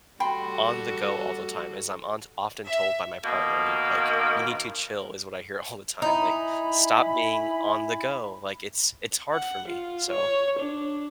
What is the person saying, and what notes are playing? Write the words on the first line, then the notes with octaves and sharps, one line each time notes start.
on the go all the time. As I'm on often told by my partner, you n like, "you need to chill," is what I hear all the time, like, "stop being on the go," like, it's it's hard for me. So,
G3 F#4 A4 G5 B5 C6
E5
B2 D#3 A#3
D#4 E4 G#5 B5
F#5
F4
C#5
D4